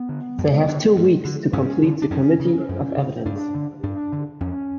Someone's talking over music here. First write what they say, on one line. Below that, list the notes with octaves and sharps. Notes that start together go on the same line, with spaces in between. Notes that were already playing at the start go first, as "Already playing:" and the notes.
They have two weeks to complete the Committee of Evidence.
Already playing: B3
D3
F#2
D3
G2
D3
G2 C#4
D3
D4
F#2 C#4
C#3
F#2
C#3
G2 D4
D3
G2 D4
D3
F2 C#4